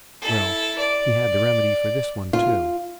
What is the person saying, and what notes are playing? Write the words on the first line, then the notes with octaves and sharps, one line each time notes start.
Well, he had the remedy for this one, too.
E4 A4
D5
F4